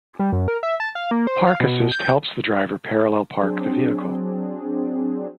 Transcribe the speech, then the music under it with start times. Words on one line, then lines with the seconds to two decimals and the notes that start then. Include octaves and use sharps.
Park Assist helps the driver parallel park the vehicle.
0.19 G3
0.32 F#2
0.48 A#4
0.63 E5
0.80 A5
0.95 F5
1.11 A#3
1.27 C5
1.47 F5
1.60 B2
1.92 G6
3.41 F#3 C4 D4 G#4